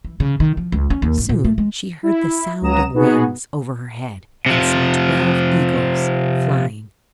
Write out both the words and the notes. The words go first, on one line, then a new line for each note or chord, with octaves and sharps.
Soon she heard the sound of wings over her head, and saw twelve eagles flying.
E3
C#3
D#3
F3
C#2
C#4
D#2
A1
A#2
A3
G#3
E4
C#2 F#3 A#5 D#6 E7
B2 B3 D#4 F#4 G#4
C3 F3